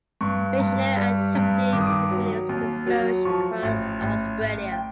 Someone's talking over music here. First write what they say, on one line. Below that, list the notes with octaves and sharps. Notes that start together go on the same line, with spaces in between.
Missionary activity continues to flourish across Australia.
G2 C#6
G2
G3
G2
D#3 D6
D#6
D6
F#3
D#2
F#3
F3 C#6
A1
A1
A1
G5